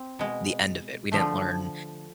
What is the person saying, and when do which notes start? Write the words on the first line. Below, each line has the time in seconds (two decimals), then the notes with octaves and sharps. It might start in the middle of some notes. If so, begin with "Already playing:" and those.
the end of it. We didn't learn,
Already playing: C4
0.19 B2 G#3
1.12 D3 F3 A3